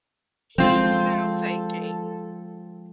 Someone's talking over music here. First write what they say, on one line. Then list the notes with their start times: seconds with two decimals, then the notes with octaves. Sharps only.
He's now taking
0.58 F3 G#3 C4 F4 A4